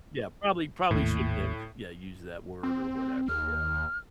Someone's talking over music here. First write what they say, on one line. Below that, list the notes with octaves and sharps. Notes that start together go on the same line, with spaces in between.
Yeah, probably probably shouldn't have, yeah, used that word or whatever, yeah.
G#1 D#2 A2
C4
D#2 F6